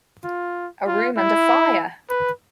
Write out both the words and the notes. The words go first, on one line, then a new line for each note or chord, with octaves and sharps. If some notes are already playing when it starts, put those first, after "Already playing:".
A room and a fire!
F4
F4
E4
B4